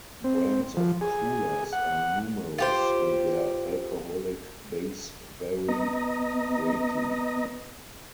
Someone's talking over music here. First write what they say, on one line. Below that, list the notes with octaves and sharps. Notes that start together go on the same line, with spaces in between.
Brands of coolers are numerous and their alcoholic base vary greatly.
C4
F3
G#4
F#5
F4 G4 C5
B3 D#5 A#5